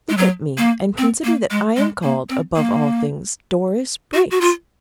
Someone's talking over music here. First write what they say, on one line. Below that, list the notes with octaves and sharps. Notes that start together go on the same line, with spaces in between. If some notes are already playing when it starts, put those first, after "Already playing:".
Look at me, and consider that I am called, above all things, Doris Brace!
G#3
F#3
A#3
C4
A#3
G#3
G#3
A#3
C4
A#3
F#4
F#4
F4